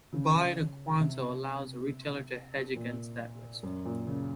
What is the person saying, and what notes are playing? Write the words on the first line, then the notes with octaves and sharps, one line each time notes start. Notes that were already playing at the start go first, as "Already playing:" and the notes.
Buying a quanto allows the retailer to hedge against that risk.
C#3
C3
A#2
F#2
A#2
C#3